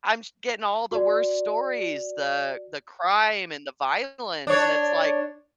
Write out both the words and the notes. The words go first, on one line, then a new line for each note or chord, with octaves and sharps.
I'm j getting all the worst stories, the the crime and the violence, and it's like,
F#4 D5
D4 C#5